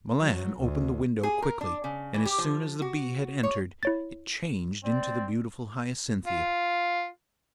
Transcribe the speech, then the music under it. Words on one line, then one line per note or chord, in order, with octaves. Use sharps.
Milan opened the window quickly, and as soon as the bee had entered, it changed into the beautiful Hyacinthia.
F#3
D2
G#4
A#4
D4
C#3
E3
G4
F3
F#4
C#5
E4 C#5 A6
C4 D5
F4